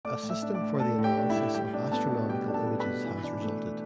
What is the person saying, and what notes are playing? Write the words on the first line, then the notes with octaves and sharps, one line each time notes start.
A system for the analysis of astronomical images has resulted.
A3 D5 D6
A2
E5 E6
D4
D5 D6
A2
A3 A4 A5
A2
G4 G5
D4
E4 E5
A2
G3 G4 G5
D4
B3 A4 A5
B2
G3 G4 G5
D4
A4 A5
B3
B4 B5
B2
E3
D4
A3